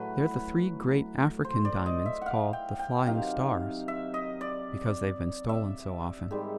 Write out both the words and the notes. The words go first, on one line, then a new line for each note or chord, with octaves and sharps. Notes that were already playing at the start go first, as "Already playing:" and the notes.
They're the three great African diamonds called 'The Flying Stars,' because they've been stolen so often.
Already playing: A2 F#3 B4
C5
D5
D#5
E5
F5 F#5
G5
G5
C3 D#3 F#3 F5
E5
D#5
D5
E5
G#2 D#3 G3